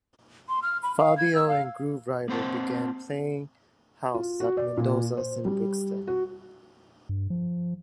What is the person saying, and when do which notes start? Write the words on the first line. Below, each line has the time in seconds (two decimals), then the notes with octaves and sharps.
Fabio and Grooverider began playing house at Mendoza's in Brixton.
0.49 C6
0.63 F6
0.83 B5
0.98 F5
1.18 G#6
1.35 E6
1.49 F5
2.28 A#3 C4 C5 F#5 A5
4.14 F4
4.40 F#4
4.57 D5
4.77 A#2
5.17 C5
5.45 G3
6.07 F#4
7.09 G2
7.30 F3